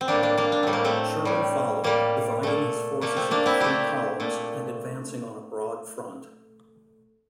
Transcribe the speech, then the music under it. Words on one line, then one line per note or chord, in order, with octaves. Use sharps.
Sherman followed, dividing his forces into three columns, and advancing on a broad front.
C4
A2 G3 A#3 D4
A#3 D4
A#3 D4
D4
A2 G3 C4
A#3
A3 C4
A2 G3
A2 G3 A#3
A#2 A3
A#2 A3 A#3
A3 C4
A#3 D4
C4 E4
A#2 A3 E4 G4
A#2 A3